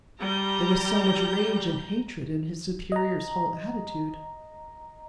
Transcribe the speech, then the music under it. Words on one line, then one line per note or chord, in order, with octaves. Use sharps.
There was so much rage and hatred in his superior's whole attitude.
G3 A#5 G6
D#5 A#5